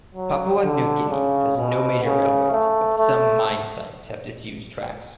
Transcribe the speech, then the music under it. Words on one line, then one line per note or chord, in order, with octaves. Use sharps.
Papua New Guinea has no major railways, but some mine sites have disused tracks.
F#3
D3
C#3
B2
C#3
A3
A3